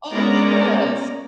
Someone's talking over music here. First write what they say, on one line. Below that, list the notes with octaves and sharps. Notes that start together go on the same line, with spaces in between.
Oh, yes.
G#3 A#3 B3 C#4 D5 A#5